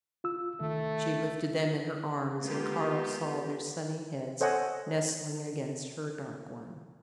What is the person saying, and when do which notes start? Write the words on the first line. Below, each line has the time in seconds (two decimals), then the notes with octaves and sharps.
She lifted them in her arms, and Karl saw their sunny heads nestling against her dark one.
0.24 F4 E6
0.60 C2 D#3 A3
2.43 G#3 A#3 B3 F4 G4
4.41 A4 C5 C#5 D#5 F#5 G#5